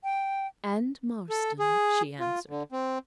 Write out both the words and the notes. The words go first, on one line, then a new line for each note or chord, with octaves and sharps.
"And Marston," she answered.
G5
A4
G#4
F4
D3
C4